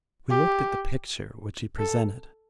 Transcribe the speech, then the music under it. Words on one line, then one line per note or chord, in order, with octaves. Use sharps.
We looked at the picture which he presented.
G4
A4